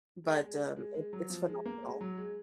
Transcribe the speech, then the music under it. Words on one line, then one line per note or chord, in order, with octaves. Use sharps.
but, um, it it's phenomenal.
G#3
G#3
G#3
G#3
F#3
F3
G#3
A#3
G#3
F#3
G#3